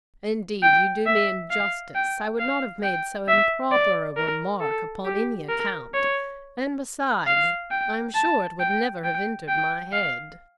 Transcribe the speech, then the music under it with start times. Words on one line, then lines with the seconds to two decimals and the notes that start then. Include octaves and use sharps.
"Indeed you do me injustice; I would not have made so improper a remark upon any account; and besides, I am sure it would never have entered my head."
0.63 G5
1.06 E5
1.50 F5
1.95 G5
2.40 F5
2.83 G5
3.28 E5
3.72 D5
4.17 A#4
4.61 A4
5.06 G4
5.49 A#4
5.94 C#5
7.27 F5
7.71 G5
8.15 A5
8.60 G5
9.04 G5
9.49 G5
9.93 F5